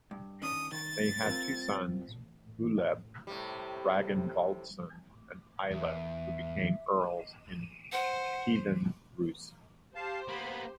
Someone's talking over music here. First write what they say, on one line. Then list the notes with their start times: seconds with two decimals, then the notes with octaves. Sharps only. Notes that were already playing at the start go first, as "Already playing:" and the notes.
They had two sons, Uleb Ragnvaldsson and Eilif, who became earls in Kievan Rus'.
0.11 G2
0.42 D#3 C#4 D4 D#6
0.71 D#3 A6
1.22 C4 F4 A#4
3.27 A2 C3 G3
5.71 E2 E5
7.92 C5 F#5
9.95 G4 C5 F5 A5
10.29 A#3 B3 B5